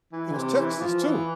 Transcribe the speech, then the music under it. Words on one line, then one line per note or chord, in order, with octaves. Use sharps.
It was Texas, too.
E3
C3
E3
E3
F3
E3